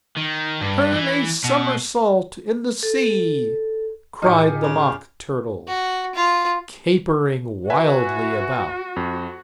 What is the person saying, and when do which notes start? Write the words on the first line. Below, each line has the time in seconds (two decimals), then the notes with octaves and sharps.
'Turn a somersault in the sea!' cried the Mock Turtle, capering wildly about.
0.17 D#3
0.61 G2
0.92 E3
1.44 B2
2.83 A4
4.22 A2 D#4 F4 G4 G#4 C#7
4.62 C#3
5.67 F#4
6.15 F4
7.70 F#4 B4 E5 G#5
8.96 F2